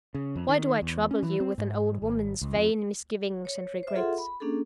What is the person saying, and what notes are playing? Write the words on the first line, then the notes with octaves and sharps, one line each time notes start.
Why do I trouble you with an old woman's vain misgivings and regrets?
C#3
F2
D#3
E2
C#4
E3
C4
G#2
G#1
C#2
F2
C#5
C5 E5
F4 G#4 A4 E5 F#5 C6
B5
A#3 C#4 D4 G#4 A4